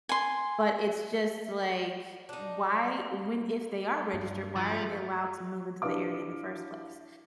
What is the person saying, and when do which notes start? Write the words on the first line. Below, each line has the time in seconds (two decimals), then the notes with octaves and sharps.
but it's just, like, why when if they are registered, why are they allowed to move into the area in the first place?
0.09 G#5 C6
2.29 D4 D#4
4.14 G2
4.56 F3
5.82 E3 D4 G4 B4 F5 D6